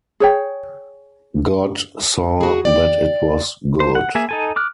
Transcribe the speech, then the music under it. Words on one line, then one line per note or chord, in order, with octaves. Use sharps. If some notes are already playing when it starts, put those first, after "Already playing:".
God saw that it was good.
G#4 C#5 G5
F#4 G#4
D5 G5
C5
F#5
A#3 G#4 E5 G#5
D#4 A4 G#5
D6 F6 F#6